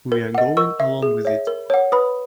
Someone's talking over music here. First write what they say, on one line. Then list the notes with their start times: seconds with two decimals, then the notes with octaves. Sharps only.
We are going along with it.
0.12 A#4
0.35 D#5 F#5
0.57 A#4 C#6 E6
0.80 E5
1.02 G#4
1.25 C#5 E5
1.47 A#4
1.70 C#5 F#5
1.92 B4 B5 D#6